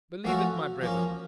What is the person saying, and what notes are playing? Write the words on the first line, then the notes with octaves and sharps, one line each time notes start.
Believe it, my brethren!
F3 A3 C#4 F#4 A4
F3 A#3 C#4